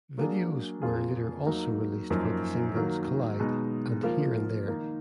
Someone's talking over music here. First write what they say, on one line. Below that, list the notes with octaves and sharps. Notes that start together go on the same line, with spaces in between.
Videos were later also released for the singles "Collide" and "Here and There".
F#3 A#3 D4 G#4
F2 F3 A#3 F4 G#4
F#3 A#3 D#4
F#2 F3 A#3 D#4
D#3 F#3 A#3
B2 G#3 D#4
F3 A#3 F4 A#4
D#3 A#3 D#4